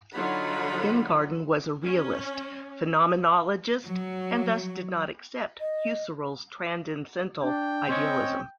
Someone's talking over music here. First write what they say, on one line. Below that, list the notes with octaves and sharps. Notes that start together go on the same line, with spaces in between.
Ingarden was a realist phenomenologist, and thus did not accept Husserl's transcendental idealism.
D3 F#3 D#4 F4 F#5 B5
C#4
F#3
D#5
D4 G5
C4 C#4 C#5 D#5